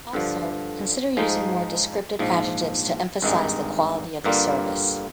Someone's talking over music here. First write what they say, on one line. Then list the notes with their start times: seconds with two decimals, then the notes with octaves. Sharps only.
Also, consider using more descriptive adjectives to emphasize the quality of the service.
0.13 G2 D3 F3
1.17 G#2 F3 G#3 D#4
2.19 A#1 G#2 F3
3.22 G#1 G2 D#3 G#3 D#4
4.24 G2 D3 G3 A#3 F4